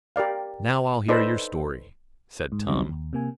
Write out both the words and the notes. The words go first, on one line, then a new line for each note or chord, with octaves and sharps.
"Now I'll hear your story," said Tom.
G4 A#4 D5 F5
D#4 A4 B4 C5 D5
G#2
D#2 C#3 F#3 G3 C4 D#4
D#2
C3 A#3 G#5